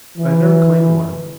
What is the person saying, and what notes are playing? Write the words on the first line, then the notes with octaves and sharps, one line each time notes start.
I have never claimed one.
E3